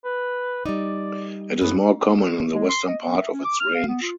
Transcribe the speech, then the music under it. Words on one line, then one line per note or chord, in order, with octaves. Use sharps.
It is more common in the western part of its range.
B4
G3 D#4 D5
F#2 B3
G#3
C6
D#5
B3
E5
C#4
D6
F6
F5
B3
F4